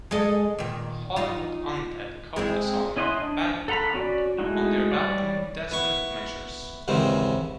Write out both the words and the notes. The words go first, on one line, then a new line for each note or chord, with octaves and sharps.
Hollywood Undead covered the song "Bad Town" on their album Desperate Measures.
G#3 A4 D#5
A#2 D#3
D#4 F4
G#3 C4 E4
C#4 E4 D#5 F#5 C6
D4
A4 F#5 A#5 B5
C#4 F#4 D5
G#3 A3 D#4 E4 F#4
G3 C#5 D5
B3 E4 C#6
D#2 G#2 C#3 E3 C4